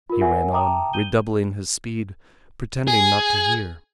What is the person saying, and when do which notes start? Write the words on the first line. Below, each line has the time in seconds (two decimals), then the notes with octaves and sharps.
He ran on, redoubling his speed, pretending not to hear.
0.10 F4 A#4
0.21 A#4 C#5 E5 F#5 G#5
0.52 E5 G5 A5 A#5 D6 D#6
0.93 G6 D#7 G7
2.87 G#4